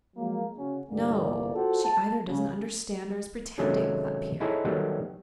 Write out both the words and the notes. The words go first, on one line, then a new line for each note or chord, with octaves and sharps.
"No, she either doesn't understand or is pretending," thought Pierre.
F3 F#3 G#3 A#3
C#3 C#4 F#4
G1 C2 G2 A#3 G4 D5
F4 F#4 G#4 A4 C5 F#5
A5
C#3
C3 D#3 F#3 G#3 A3 C#4
D#4 E4 G#4 A4 C5 C#5
D#3 F#3 G3 A3 B3